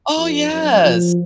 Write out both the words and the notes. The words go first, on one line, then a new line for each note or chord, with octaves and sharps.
Oh, yes.
F2
F#2
F3